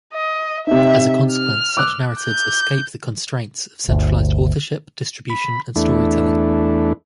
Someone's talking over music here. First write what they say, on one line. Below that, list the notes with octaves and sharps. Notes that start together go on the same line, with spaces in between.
As a consequence, such narratives escape the constraints of centralized authorship, distribution, and storytelling.
D#5
C3 D#4 E5
F6
D6 E6 F#6
G6
G1 D2
B5
E2 A3 D4 E4